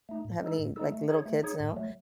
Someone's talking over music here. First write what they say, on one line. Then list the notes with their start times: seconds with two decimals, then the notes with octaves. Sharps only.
have any, like, little kids now,
0.09 A3 D#4
0.25 A2
0.41 G#3 D#4 A4
0.59 A2
0.76 G#3 D#4 A4
0.92 A3
1.09 D#4 G#4 C#5
1.26 A3
1.43 D#4 G#4 C#5
1.60 A2
1.76 F#3 A3